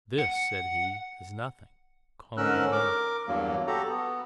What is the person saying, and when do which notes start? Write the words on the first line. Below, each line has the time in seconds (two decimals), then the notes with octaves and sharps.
"This," said he, "is nothing; come with me."
0.18 F#5
2.37 G#2 D3 C#4 A#4 E6 F#6
2.72 A#4 D6
3.27 E2 G2 F#3 A#3
3.67 F#4 G4 A4 A#5
3.89 B3